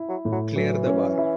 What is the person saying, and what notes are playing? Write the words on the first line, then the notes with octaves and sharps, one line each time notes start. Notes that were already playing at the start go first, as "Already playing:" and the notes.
Clear the Bar.
Already playing: E4
F#3
A2
F#3
E3 F#3
C#4
E4